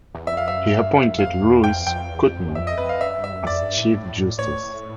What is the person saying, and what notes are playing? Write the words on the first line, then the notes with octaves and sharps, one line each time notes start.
He appointed Luis Kutner as Chief Justice.
E2
F2 E5
F5
F#2 E5
G2
F#2
F2 F5
E2
F2 G5
F2 G5
E2
F2
F#2
F2 E5
D#5
F2 B4
F5
F#2 E5
G2
E5
F#2
F2 D5
G2
A2
A2
A2 C#5